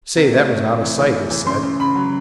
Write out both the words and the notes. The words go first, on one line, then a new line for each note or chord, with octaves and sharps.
"Say, that was out o' sight," he said.
C3
A3
A3
C3
E3
E3
A3
E3
C#3 C6
C#3
C#3 B5
F#3